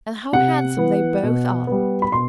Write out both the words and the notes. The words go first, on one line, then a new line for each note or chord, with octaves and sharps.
"And how handsome they both are!"
C3 F#5
E3 B3
B2
G3 B3
B5
B2 C6